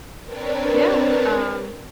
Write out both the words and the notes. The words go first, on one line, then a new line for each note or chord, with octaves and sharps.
Yeah. Um
C4 D4 A#4 B4 C#5 D5